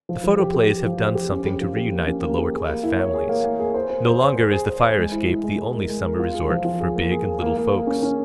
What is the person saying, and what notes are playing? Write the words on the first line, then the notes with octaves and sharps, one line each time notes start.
The photoplays have done something to reunite the lower-class families. No longer is the fire-escape the only summer resort for big and little folks.
F3
F3
G4
G4
G4
F3
C5
G4
C#4
G4
F3
G4
A#3
C#4
A#3
G4
G#4
A#3
E4
C#5
G#4
A#3
A#3
G#4
C5
C5
C5
C5
C5
G#4
C5
C5
G#3
E4
E4
G#3
G#3
A#4
G#3
A#4
F4
G#4
F3
F4
G#4
A#3
G#4
G#4
A#3
A#3
A#3
C#4
C#4